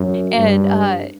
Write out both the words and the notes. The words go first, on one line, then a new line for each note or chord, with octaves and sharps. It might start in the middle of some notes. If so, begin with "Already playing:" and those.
and, uh
Already playing: F#2
G2